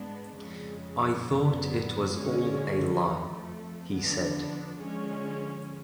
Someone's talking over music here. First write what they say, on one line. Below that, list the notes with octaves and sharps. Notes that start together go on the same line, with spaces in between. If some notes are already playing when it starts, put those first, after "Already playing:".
"I thought it was all a lie," he said.
Already playing: G#2 G#3 B3 D4
F2 C#3 G#3
F#2 D3 F#3 B3
D3 G#3 C#4
F2 F3 A3
D3 F3 B3 D4
D3 F3 G#3 C#4